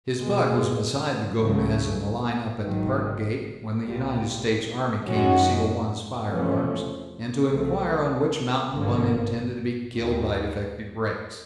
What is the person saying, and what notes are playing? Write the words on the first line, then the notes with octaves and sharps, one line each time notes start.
His bug was beside the Gomez in the line-up at the Park gate, when the United States Army came to seal one's firearms, and to inquire on which mountain one intended to be killed by defective brakes.
E2 B2 G#3
C#2 C#3 F#3 A3
G#1 G#2 D#3 F#3
C2 A#2 G3
F#2 D#3 G#3 C#4 F#4
E2 C3 F3 A3 C#4
C2 C3 F3 A3 C4
G#1 G2 D3 F3 A#3
D#2 D#3 G3